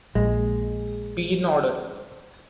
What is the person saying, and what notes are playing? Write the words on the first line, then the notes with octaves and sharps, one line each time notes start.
Be in order.
A#1 G#3